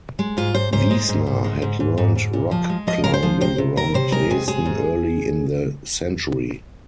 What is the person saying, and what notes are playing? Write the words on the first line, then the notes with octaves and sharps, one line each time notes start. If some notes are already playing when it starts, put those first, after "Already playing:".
Wiessner had learned rock climbing around Dresden early in the century.
G#3
G#2 F4
G#2 C5
G#2 C5
G#3
G#2
G#2
G#3
G#2
G#2
G#2
G#2
A#2
F3
G#3
F3 D#5
G#3 A#4
C5
F3
C3 C5
C3
C3 A#4
C3 C5
G#3 A#4
C3 G#4
G#3 G#4
G#2